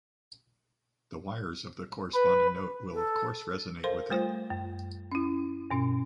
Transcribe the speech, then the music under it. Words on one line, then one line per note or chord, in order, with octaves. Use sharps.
The wires of the corresponding note will of course resonate with it.
B4
A4
A4 A#4 C5 F5 C6
G3 A3 F4 C5
F#2
C#4 E4
G2 B2 C#4